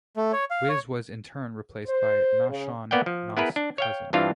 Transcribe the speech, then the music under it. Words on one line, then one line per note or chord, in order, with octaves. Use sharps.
Wiz was in turn replaced by Nashawn, Nas' cousin.
A3
C#5
F5
C#5
C5
C#3
A#3 B3 D5 F#5 G5
F3
B3 E4 G#4 A#4 B4
D4
C#5 F5 G5
G2 E3 C4 D4 F4 F5